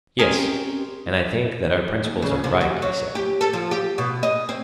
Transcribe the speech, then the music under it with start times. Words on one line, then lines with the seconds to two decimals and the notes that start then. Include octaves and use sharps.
Yes; and I think that our principles are right, he said.
0.19 C4 C#4 G4 G#4 A#4 G#5
2.04 D#2
2.22 C#3
2.44 C3
2.61 F#4
2.82 F#3
3.15 G4
3.41 A4
3.53 F3
3.71 G4
3.98 B2
4.23 D#5
4.49 C4